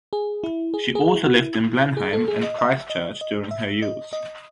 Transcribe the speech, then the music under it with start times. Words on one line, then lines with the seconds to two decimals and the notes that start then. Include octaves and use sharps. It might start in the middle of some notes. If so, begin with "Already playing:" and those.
She also lived in Blenheim and Christchurch during her youth.
0.13 G#4
0.44 E4
0.74 G#4
0.95 G#4
1.15 E4
1.26 F#4
1.35 E4
1.97 G#4
2.13 A4
2.28 G#4
2.43 D#5
2.58 E5
2.90 D#5
3.21 D#5
3.51 E5
3.82 D#5
4.13 D#5